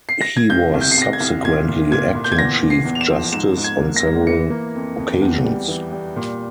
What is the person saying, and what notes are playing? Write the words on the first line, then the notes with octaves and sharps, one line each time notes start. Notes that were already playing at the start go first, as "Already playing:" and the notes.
He was subsequently Acting Chief Justice on several occasions.
C7
A#6
G#6
C2 G6
C2
G6
C7
C2 A#6
G#6
C2
A#2 G#6
A#2
A#2 G#6
A#2
G6
G#6
E2 A#6
E2
C7
E2
F7
E7
F3
G#2 E7
G#2
G#6
A#3
A#6
A#3
E3 C#7
A#3
F2
F2
E2
G3
E3
G3
A#2